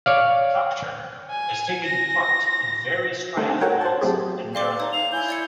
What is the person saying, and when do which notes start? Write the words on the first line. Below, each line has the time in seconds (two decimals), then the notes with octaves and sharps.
Procter has taken part in various triathlons and marathons.
0.06 C#5 D5 F5
1.30 G#5
1.84 A#6
3.37 D3 D#3 G3 A3 C4 D4
3.61 F#4 A4 A#4 C#5 F#5 G5
3.81 C5 A5
4.01 F#3 A3 C4 G4 G#4
4.55 A4 D5 F5 C6 D6
4.80 D#4 C#5
4.93 F5 F7
5.12 E4 G#5 G6
5.29 D5 G#6 C#7